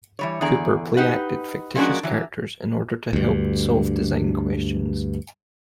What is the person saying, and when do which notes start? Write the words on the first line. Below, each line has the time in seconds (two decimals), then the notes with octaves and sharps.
Cooper play-acted fictitious characters in order to help solve design questions.
0.19 E3 G3 C#5
0.41 E2 D3 G#4 D5 A#5
0.97 D#4 G4 B4 F#5
1.75 F3 G#3 A#3 C#4 D4 F#4
2.03 E3 F#3
3.13 D2 G2